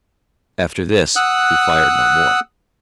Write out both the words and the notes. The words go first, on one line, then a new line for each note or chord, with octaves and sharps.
After this he fired no more.
F#5 D#6 E6 F#6